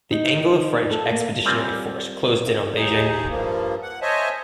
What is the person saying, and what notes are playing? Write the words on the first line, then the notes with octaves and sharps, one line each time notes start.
The Anglo-French expeditionary force closed in on Beijing.
D#4
A4
A#3
G3 C4 F4 A#4 D5 G#5
D#2 D#4 G#4
G2 F3 A#3
F#5
C5 C#5 D#5 E5 G#5 A5